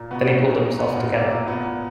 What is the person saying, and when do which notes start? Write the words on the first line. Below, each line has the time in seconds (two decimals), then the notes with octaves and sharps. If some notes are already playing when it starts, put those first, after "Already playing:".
Then he pulled himself together.
Already playing: A#2
0.11 B2 B3
0.28 B2 C#4
0.45 B2
0.62 B2 C#4
0.79 A#2 B3
0.96 A#2
1.14 A#2 A#3
1.31 A#2
1.48 A#2 B3
1.65 A#2